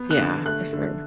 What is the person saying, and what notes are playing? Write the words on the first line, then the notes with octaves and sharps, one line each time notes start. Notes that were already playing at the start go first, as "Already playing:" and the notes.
Yeah. For sure.
Already playing: B3
F#6
D3
A3 F#6
D3